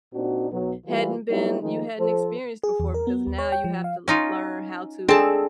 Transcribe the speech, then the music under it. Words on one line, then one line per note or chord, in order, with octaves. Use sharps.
hadn't been you hadn't experienced before because now you have to learn how to
A#2 C4 D4 D#4 F#4
B1 F#3 B3
E3 G3 A3 F4
F#3 G3 B3 D#4 E4 G4
D#3 F3 G#3 A3 D#4
F3 A4 C5
G#4
E2
A#4
B3
D#2
C#5
G5
F3
F5
C#4 D#4 F4
C4 D4 G#4 A4 A5